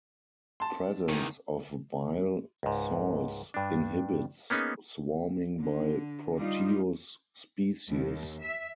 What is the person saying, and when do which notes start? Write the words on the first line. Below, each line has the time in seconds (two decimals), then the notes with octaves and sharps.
Presence of bile salts inhibits swarming by "Proteus" species.
0.60 A5 C6
1.09 E2 D#3
2.63 C#2 G#2
3.54 G2 D4
4.50 A#3 B3 C#4 D#4 G#4
5.59 D3
6.36 G3 D#4 F4
7.90 D#2
8.41 E5